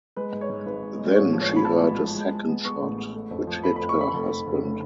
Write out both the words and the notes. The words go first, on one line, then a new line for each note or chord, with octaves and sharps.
Then she heard a second shot, which hit her husband.
G#3 B4
G#2
C#5
G#2
G#1 B4
G#3
G#3
A1 C#5
F3
C#5
A1
B5
B3 A5
G#2
F3
G#3
G#3
B3
B3 C#6
A1
B3
A3
F2
F3
A3 B5
F2 B5
C#6
A3 B5
F1
F1
F1
C#3